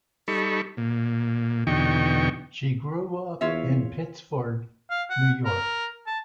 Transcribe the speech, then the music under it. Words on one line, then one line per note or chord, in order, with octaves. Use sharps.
She grew up in Pittsford, New York.
G3 D#4 A4 B5 C#6
A#2
E2 B2 D3 D#4 G5 C#6
E2 F4 C#5 E5
F5
F#5
A#4
A5